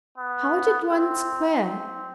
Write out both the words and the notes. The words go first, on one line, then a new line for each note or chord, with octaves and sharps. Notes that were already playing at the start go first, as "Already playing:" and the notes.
How did one square?
B3
C4
C4